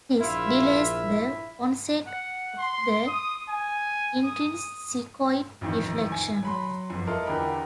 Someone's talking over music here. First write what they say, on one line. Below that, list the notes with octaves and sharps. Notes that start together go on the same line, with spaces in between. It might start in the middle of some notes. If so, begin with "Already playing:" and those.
This delays the onset of the intrinsicoid deflection.
A#1 E4 F4 E5
F#5
C6
D#6
G#5
D#6
A1 F2 D#3 E3
G#5
F#3 B5 C6
G1 F2
E4 F4 A4 A#4 D#5
E2 D3 G4 A#4 B5